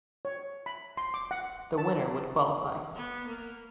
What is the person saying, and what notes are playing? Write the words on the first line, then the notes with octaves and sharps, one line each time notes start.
The winner would qualify.
C#5
B5
C6
D6
F#5
A5
B3
A#3